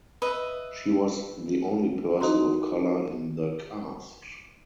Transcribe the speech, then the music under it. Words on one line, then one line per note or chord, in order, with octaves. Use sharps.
She was the only person of color in the cast.
B4 D#5 E5
D#4 E4 F#4 D#5 A#5 C6